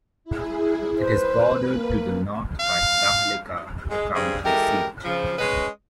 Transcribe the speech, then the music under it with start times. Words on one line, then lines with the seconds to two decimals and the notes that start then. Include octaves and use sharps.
It is bordered to the north by Tahlequah, the county seat.
0.24 E4 G#4
0.98 B4 C5
1.73 A#3
2.60 F5
3.90 G#3
4.13 G2 C#3 C4 G#4
4.44 E3 G#3 G4 A4 A#4
5.04 C#3 F3
5.39 G#3 C#4 B4 C#5 D#5